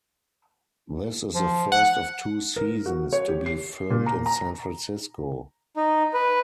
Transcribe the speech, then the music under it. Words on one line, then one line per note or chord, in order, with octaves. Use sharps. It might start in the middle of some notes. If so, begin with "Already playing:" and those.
This is the first of two seasons to be filmed in San Francisco.
F3
F#5
A#4
F#4
C#5
G4
C7
A#2
A#5
A#5
D#4
B4